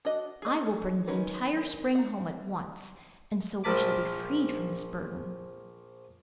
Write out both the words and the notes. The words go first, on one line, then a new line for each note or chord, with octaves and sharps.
I will bring the entire spring home at once, and so we shall be freed from this burden.'
D4 F#4 D#5
G#4 D#5
D#3 G#3 C#4 B4
F#5 A#5
A#1 F3 A#4 A5 B5 D6